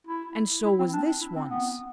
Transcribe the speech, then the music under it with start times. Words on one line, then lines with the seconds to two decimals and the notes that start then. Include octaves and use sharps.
And so was this one's.
0.07 E4
0.65 E4
0.79 C4
0.93 D4
1.21 E4
1.36 C4
1.50 B3